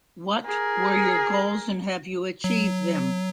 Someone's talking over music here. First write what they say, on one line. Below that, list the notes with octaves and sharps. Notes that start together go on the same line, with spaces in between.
What were your goals, and have you achieved them?
G#4 A#4
F#3